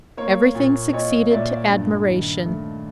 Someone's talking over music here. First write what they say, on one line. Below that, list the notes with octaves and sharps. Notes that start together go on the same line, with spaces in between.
Everything succeeded to admiration.
A#3 C#5
A#2
A#2 C#5 D#5
A#2 D5 E5
G2
D#3
A3